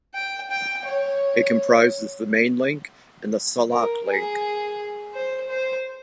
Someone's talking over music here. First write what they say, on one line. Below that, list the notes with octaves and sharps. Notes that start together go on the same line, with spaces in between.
It comprises the Main Link and the Salak Link.
G5
G5
C#5
A#4
G#4
C5
C5